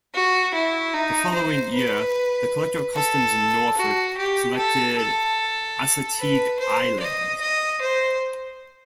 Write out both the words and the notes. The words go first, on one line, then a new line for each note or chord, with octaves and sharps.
The following year, the Collector of Customs in Norfolk selected Assateague Island.
F#4
E4
D#4
C5
B4
A4
F#4
G4
A4
A4
B4
C5
D#5
D#5
C5